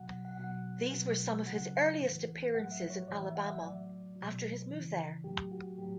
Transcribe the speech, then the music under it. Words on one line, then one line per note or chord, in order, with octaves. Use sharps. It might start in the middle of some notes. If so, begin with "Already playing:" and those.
These were some of his earliest appearances in Alabama after his move there.
Already playing: B2 F#3 F#5
F#5
B2 F#3 F#5
B2 F#3
C#3 F#3 F#5
A2 E3
A2 F#3 F#5
E5
C#5
A2 E3 D5
E5
F#5
E5
A2 F#3 D5
F#3
B2
C#3 E3
A2 F#3 G4
F#4
A2 F#3 G4